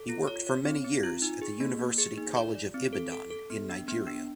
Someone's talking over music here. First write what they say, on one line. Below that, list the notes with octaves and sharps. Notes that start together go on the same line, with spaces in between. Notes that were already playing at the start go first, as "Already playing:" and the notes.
He worked for many years at the University College of Ibadan in Nigeria.
Already playing: A4
F4
C#5
C#5
C4
C4
F4
D#4
G#4
A#3
A#3
G#4
D#4
D5
D5
C4
A4
A4
A4
B3
D4
B3
D4